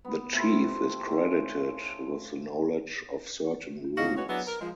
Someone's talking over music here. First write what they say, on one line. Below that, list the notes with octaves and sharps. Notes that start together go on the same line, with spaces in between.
The chief is credited with the knowledge of certain roots.
B3
C3 A3 E4 F4
A3 C#4
D2 G#2 C#3 F#4 D#5 F5
G#3 F#4 B4 C#5
F#3 B3 D4 E4 G#4
A#4
F3 G#3